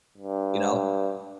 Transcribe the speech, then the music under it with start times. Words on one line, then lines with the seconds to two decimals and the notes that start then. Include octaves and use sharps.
You know?
0.18 G2